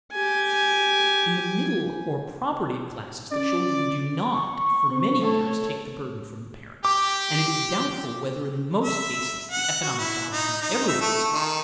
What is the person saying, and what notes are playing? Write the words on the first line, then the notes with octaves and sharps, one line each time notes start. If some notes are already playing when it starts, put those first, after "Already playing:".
In the middle or propertied classes the children do not for many years take the burden from the parents, and it is doubtful whether in most cases the economic balance is ever reestablished.
G4 G#5
C#4 D5
C#6
C4
A3 A4 C#5
G4 D6
E5
F#5
F#4
E4
D#4
D#4
E5
A3
D#3